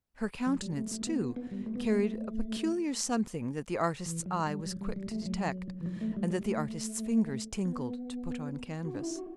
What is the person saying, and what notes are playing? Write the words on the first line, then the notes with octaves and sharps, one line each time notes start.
Her countenance, too, carried a peculiar something that the artist's eye was quick to detect, and that the artist's fingers tingled to put on canvas.
F#3
G3
A3
A3
B3
B3
B3
G3
A3
B3
A3
E3
F#3
G3
F#3
G3
G3
A3
F#3
E3
F#3
A3
G3
G3
A3
B3
F#4
D4
E4
F#4